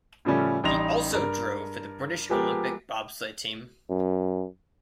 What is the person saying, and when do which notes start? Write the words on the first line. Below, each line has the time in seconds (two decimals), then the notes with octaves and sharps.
He also drove for the British Olympic bobsleigh team.
0.25 A2 C#3 F3 G3 A3 C#4
0.64 A1 G3 D#4 C6 A#6 F7
1.11 G2 A#4
2.29 F3 G#3 B3 G4 A4 A#4
3.90 F#2